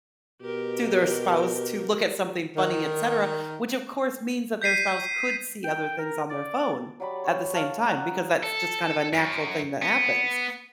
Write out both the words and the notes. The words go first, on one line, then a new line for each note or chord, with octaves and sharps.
to their spouse to look at something funny, etcetera, which, of course, means that their spouse could see other things on their phone at the same time because that's just kind of a natural thing that happens.
B2 G4 A#4
D#3
G6 B6 C7 D#7
G5
A#4
D5
F#3 G4 D5 B5
C#5
F5 A5
F#5 A#5 D#6
A4
F#2
B3